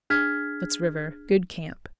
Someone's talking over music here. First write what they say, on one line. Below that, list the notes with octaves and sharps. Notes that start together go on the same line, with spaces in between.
Soot's River.--Good camp.
D4 G#4 F6 G#6 B6